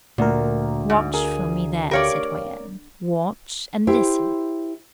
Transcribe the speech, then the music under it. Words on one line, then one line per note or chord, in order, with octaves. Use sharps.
Watch for me there, citoyenne, watch and listen. . . .
D2 A#2 A#4
G#2
G#4 A#4
G4 A#4 C#5 D5 F5
E4 G4 C5